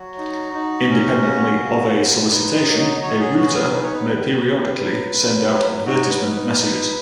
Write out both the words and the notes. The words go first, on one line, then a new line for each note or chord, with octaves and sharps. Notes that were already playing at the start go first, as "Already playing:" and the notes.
Independently of a solicitation, a router may periodically send out advertisement messages.
Already playing: F#3 F#4
D#4
D#4
C#4
C#3
C#3
G#3
D#4 B4
D#5
F#3
D#5
F#3 C#5
G#4
B3 F#4
G#4
D#4 B4
C#5
B4
D#3
D#3
F#3
F#3
F#3
D#4 F#4
C#5
B4
D#4
B4
D#4